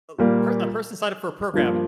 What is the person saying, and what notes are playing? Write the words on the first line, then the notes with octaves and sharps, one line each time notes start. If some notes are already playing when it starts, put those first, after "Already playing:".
a per a person signed up for a program
A#2 G3 A#3
G2 F3 A#3